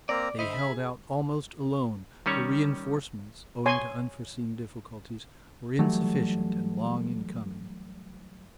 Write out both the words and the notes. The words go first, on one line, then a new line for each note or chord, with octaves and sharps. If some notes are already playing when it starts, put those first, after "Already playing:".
They held out almost alone, for reinforcements, owing to unforeseen difficulties, were insufficient and long in coming.
A#3 C4 D5 A#5
D3 C5 D#5 E5 B5
G#4
D#3 G3 C#4 C#5
C#5 G#5 C6
E3 F#3 G3 A3